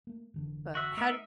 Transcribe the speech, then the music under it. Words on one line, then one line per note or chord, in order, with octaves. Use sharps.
but, how d
A3 A#3
F1 D3 E3
F#4 E5
A3 D#4 A#4 E5